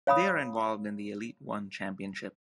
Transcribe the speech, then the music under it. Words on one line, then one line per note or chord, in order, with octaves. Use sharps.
They are involved in the Elite One Championship.
C#5 F5 B5 D#6